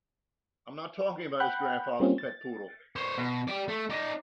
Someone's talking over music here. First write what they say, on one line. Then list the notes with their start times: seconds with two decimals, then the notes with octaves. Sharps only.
I'm not talking about his grandfather's pet poodle.
1.40 F#5 G5 B5 F#6 G6
2.00 G3 A#3 C4 C#4 F4
2.18 A6
2.96 C5 C#5
3.18 B2
3.48 G4 D5
3.68 A3
3.90 D#4 D5